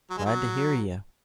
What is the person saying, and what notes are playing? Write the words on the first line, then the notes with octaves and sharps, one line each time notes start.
Glad to hear you!
F#3
G#3
F#3